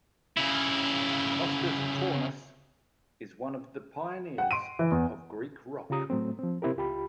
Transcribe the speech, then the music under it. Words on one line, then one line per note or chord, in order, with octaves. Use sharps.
Kostas Tournas is one of the pioneers of Greek rock.
C#3 E4
F#5 G5
C6 D7 D#7
E3
E2
C#3 F4 G4 A#5 D#6
A2 F#3 A3 C4
F3 C4
C3 C4 E4 G4 A#4
C#2 F4 G4 G5 B5